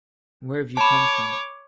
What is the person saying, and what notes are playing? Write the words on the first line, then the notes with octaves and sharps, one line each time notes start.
Where have you come from?
C#5 A5 B5 D6